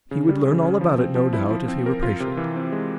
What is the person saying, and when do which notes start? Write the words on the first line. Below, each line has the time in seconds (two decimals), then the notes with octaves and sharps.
He would learn all about it, no doubt, if he were patient.
0.11 C#3
0.29 G3
0.45 C#3
0.63 C#4
0.81 F3
0.98 C4
1.15 F3
1.33 E4
1.51 F3
1.68 C4
1.86 A#4
2.03 F4
2.20 C3
2.37 E3
2.56 C4
2.72 G#3